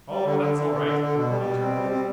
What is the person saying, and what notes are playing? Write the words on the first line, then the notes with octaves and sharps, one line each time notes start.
"Oh, that's all right," he went on cheerfully.
G3
D3
D3
D3
D3
D3
D3
B2
G3
B2
C4
G3
C4